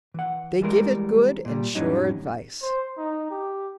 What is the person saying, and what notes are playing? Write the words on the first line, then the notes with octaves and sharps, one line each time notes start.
They give it good and sure advice.
E3 F#5
E3 G3 G#3 A#4
A#2 G3
F2 A2 F#3 G3 C#4 D#4
C5
D#4
G4